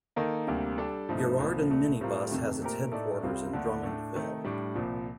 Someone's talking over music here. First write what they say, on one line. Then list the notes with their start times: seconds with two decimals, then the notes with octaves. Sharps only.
Girardin Minibus, has its headquarters in Drummondville.
0.16 D#3 A#3 D#4 A4 D#5
0.47 D2 C3 G3 A#3
0.78 G3 D4 A4
1.09 G2 F3 A3 C4 D#4
1.39 C2 A#2 F3
1.70 C2 A#2 A3
2.01 A2 G3 C4 F4 A#4
2.31 F2 C3 D#3 A3
2.62 A#2 A3 C4 G4 A#4
2.92 A2 A3 D#4 A4 D5
3.23 C2 C3 G3 C4 F4
3.53 D#2 D3 A3 D4
3.83 A2 A3 D4
4.15 C3 D#3 A3 D#4
4.45 A2 G3 D4
4.75 C2 A#2 F3